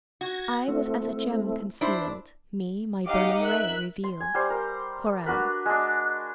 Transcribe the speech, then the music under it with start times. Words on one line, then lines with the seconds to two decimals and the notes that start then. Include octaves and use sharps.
"I was as a gem concealed; Me my burning ray revealed." Koran.
0.21 F#4 G#6 A#6
0.68 A3 C4 E4
1.81 D4 E4 C5
3.06 D#4 G4 D#5 F5 F#5 D6
3.41 A#4 E5 F#6
4.04 C6
4.20 G#5
4.34 G3 C5
4.50 A#4
5.26 D4 F#4 A#4 B4
5.66 G#3 D4